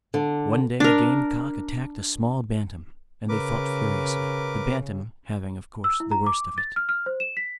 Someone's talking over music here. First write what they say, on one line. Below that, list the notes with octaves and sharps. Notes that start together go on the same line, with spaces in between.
One day a game cock attacked a small bantam, and they fought furiously, the bantam having, of course, the worst of it.
D3
D4 A#4
C#3 A#4 B4 D6
E6
E4
A#5
D6
A6
F6
F6
C5
E7
B6